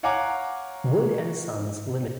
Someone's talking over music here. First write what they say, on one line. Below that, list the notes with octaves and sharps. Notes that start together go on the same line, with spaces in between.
Wood and Sons Limited.
C#5 F5 F#5 G#5 A#5 D6